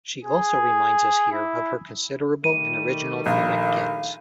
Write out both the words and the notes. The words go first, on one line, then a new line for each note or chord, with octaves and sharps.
She also reminds us here of her considerable and original comic gifts.
G#4
E4
D#3 G3 A3 D#7
A#1 F5